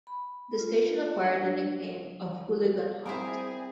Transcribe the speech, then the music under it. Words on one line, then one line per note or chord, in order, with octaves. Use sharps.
The station acquired the nickname of "Hooligan Halt".
B5
F4
D4
G3 C4 E4 G#4 A#4 C5